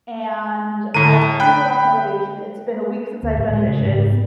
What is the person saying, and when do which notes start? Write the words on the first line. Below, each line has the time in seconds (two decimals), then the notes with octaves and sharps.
and I've totally lost motivation, it's been a week since I've done dishes,
0.94 A2 D3 A#5 D#7
1.40 G5 B5 F#6
3.23 D2
3.37 A2
3.53 G#3
3.68 C#3
3.82 G#2
3.94 G#2
4.12 B3